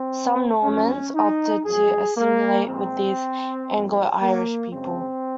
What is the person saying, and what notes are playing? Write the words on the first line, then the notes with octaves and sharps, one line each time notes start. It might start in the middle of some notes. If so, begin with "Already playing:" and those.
Some Normans opted to assimilate with these Anglo-Irish people.
Already playing: C4
F#2 F3 G#3 C#4
D#4
F#2 F3 G#3 G#4
A#3
A#2 F3 G#3 C4
G#2 F3 A#3
A#3
F#2 C#3 G#3 C4